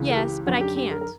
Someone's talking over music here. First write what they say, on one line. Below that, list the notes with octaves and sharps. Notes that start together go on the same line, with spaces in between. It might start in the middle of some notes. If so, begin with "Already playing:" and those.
"Yes, but I can't."
Already playing: C#2 C#3 E3
A#4
G4
F#2 D3 F#4
G4
G4
A#4
A#4